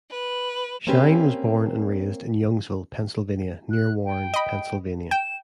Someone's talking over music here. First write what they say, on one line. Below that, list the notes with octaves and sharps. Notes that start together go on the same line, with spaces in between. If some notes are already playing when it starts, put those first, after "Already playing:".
Shine was born and raised in Youngsville, Pennsylvania, near Warren, Pennsylvania.
B4
A#3 C4 C#4 G4 B4
F#6
G5
D#5 B5
G5 E7